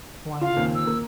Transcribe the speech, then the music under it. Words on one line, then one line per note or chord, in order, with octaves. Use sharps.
Wind down.
F4 F5
D#2 A#2 C4
E6
A#3